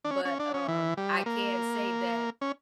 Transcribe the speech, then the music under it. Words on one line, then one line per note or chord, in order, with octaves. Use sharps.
but, um, I can say that,
D4
C#4
C#4
D4
C#4
E3
G3
A#3
C#4